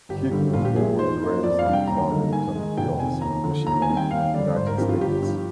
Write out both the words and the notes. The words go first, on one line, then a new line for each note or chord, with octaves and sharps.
Keith was born and raised in Farmington Hills, Michigan, United States.
G1 G4
G2 D3 G3
A#1 F4
G4
A#2 F3 G#3 G#4
G#2 C5
F3 A#3 D#4
F2 D5
F5
C3 G3 D4
G5
D#2 A#5
D3 G3 A#3 D#4
G#2 G#5
D#3 G#3 D#4
F1 G5
F2 C3 D#3 G#5
D#2 A#5
D3 F3
D#2 A#5
G#5
D#3 G3 C4
G5
D#2 F5
D3 G3 D5
G#1 C5
A#4
G2 F3 C4 G4
F4
G1 G4
G2
F3